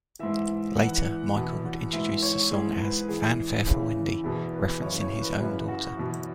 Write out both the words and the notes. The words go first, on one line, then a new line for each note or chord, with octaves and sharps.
Later, Michael would introduce the song as "Fanfare for Wendy," referencing his own daughter.
G#2 E3 E5
E2 E3 F#5
E2 B2
F#5
G#2 E3 E5
C#5
G#2 E3 G#4
B4
E2 E3 G#4
E2 C#3 E3
E2 B2 G#4
B4
F#2 C#3 E3 C#5
C#5
B4
F#2 C#3 E3 B4
F#4
E2 B2